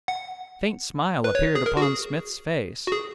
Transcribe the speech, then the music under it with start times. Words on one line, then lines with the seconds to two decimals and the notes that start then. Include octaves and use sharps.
A faint smile appeared upon Smith's face.
0.08 F#5
1.24 B4
1.35 C#5
1.55 G#4
1.66 A#4
1.77 F#4
1.81 G#4
2.87 F#4
2.92 G#4